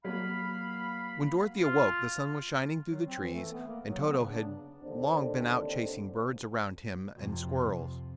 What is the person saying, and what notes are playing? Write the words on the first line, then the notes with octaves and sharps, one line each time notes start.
When Dorothy awoke the sun was shining through the trees and Toto had long been out chasing birds around him and squirrels.
F#3 A#3 F5 B5
F4
F#3
C4
E3
A3
B3
A#3
F#3
B3
C#3
D4
D#2 D3 C4 D4
F2 C3